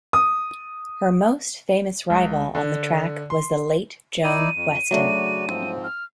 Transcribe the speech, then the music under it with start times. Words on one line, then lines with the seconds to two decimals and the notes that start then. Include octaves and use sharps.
Her most famous rival on the track was the late Joan Weston.
0.13 D#6
2.10 C#2
2.55 D3
3.30 C6
4.24 D#4 E4 D5 D#7
4.55 F2
4.91 C#3 F#3 A3 D4 F#4 D5
5.47 G#2 F3 C4
5.84 F6